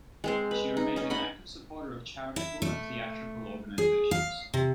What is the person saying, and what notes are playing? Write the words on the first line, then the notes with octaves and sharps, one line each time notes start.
She remained an active supporter of charitable and theatrical organizations.
G#3 C4 C5
B4
D#4
C#4 D#4
D#5 F#5 B5
E4
A3
G#4
F5
C3